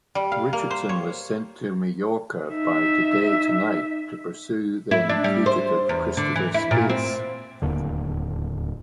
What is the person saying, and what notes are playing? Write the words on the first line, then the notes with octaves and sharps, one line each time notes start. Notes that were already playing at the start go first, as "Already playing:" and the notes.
Richardson was sent to Majorca by Today Tonight to pursue then-fugitive Christopher Skase.
G3
F5
A#3
C5
C#5
D#4 E5
E4
D4
G3
C5
E2
D3
E3
E4
A#2
C4
D1 D#2 D3